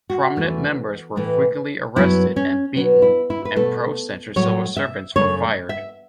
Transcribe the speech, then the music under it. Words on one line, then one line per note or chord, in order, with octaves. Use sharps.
Prominent members were frequently arrested and beaten, and pro-Centre civil servants were fired.
F#4
E2 E3 A3
A2 E3 A3
F#2 F#3 B3 E4
C#4
B2 F#3 B3
E4
E4
B4
B2 A3 A4
A2 F#3 A3 C#5
E5
F#2 C#3 A3 C#5
E5